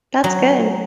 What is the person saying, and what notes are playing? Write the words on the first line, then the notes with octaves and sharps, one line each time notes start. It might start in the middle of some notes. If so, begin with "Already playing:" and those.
That's good.
F#3